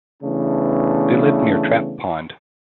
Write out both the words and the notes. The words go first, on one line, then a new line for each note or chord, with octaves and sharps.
They lived near Trap Pond.
C#3 E3 A3 B3 D4